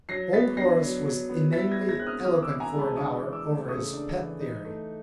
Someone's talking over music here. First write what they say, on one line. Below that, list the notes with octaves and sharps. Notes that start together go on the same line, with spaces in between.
Old Horace was inanely eloquent for an hour over his pet theory.
F#3 A#6 C7
B3 A6 B6
D4 A#6 C7
F#3
F#3
B3
E4 A6 B6
G#6 A#6
G#3
G#6 A#6
C4 F#6
D#6 F6
E3 D#6 F6
D6 E6
E4
G#5 A#5
G#3
A5 B5
D4 C#6 D#6
E3
D6 E6
A3
C#3 C#6 D#6
D4
E3
D#4
A3